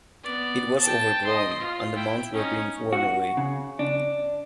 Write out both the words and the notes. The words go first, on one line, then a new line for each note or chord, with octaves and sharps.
It was overgrown and the mounds were being worn away.
B3 D5
G5 A5
D#5 C6
F4
E4 G5
C#4 D#4
F#4
C#3
D4